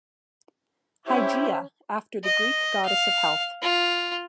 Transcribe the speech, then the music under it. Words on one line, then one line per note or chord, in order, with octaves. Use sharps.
Hygeia after the Greek goddess of health.
C#4 E4 G4 C5 E5
D#5
F5
F4